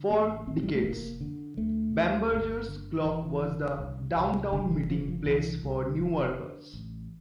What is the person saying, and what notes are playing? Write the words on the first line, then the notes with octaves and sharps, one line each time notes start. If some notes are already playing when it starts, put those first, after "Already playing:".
For decades, Bamberger's clock was the downtown meeting place for Newarkers.
Already playing: D3
A1 A#3
A1 C4
G3
A3
F1 A#3
D3
D2 A3
D2
G1
D3
E1 E3
D3
C2
C2
F1 D3
E3
D3 F3
F3
C2 E3
C2
F1 F3
D3
A1